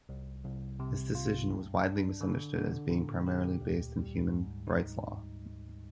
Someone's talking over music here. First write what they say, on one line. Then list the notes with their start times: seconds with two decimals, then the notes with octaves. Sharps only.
This decision was widely misunderstood as being primarily based in human rights law.
0.09 C2
0.45 C2
0.80 C3
1.15 F4
1.50 G2
1.85 D4
2.21 D3
2.56 D3
2.91 A#2
3.27 G4
3.61 D2
3.96 G3
4.32 G#2
4.67 D#4